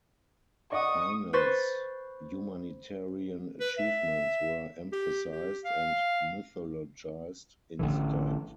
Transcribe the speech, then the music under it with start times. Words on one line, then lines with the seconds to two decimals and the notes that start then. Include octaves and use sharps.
Pinel's humanitarian achievements were emphasized and mythologised instead.
0.72 D5 D#5 F#5 C#6 D#6
1.33 B4 C5 C#6 A6 B6
3.61 B4
3.78 E5
4.92 G4
5.32 G4
5.65 F5
7.79 A1 D3 E3